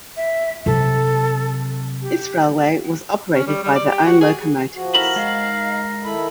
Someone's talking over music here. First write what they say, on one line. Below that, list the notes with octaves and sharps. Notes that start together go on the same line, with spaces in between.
This railway was operated by their own locomotives.
E5
C3 F#3 A4
G4
C#4
G3
G3
D5
G4
F#4
G#4
F3 F#4
E4 A4 A#4 B5
G#3 F5
D#4
D#3 E4 A4 B5